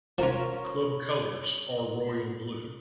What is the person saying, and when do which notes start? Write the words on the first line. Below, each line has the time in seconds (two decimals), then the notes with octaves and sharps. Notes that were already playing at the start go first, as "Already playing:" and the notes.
Club colours are royal blue.
0.18 F3 C#4 F4 A#4 C#5